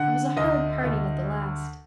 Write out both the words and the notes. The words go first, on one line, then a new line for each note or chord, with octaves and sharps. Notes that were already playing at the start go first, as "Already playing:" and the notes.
It was a hard parting at the last.
Already playing: D3 F#5
D2 D#5
D2